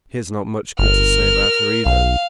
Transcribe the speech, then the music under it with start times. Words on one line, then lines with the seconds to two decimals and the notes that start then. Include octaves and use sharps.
"He has not much good to say about her either."
0.79 G1 A#4 F6
1.86 B1 F5